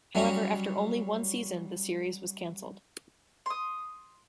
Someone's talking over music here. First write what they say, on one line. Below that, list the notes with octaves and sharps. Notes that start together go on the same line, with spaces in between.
However, after only one season, the series was cancelled.
F#3 G3 C#4 F#4
C6 D#6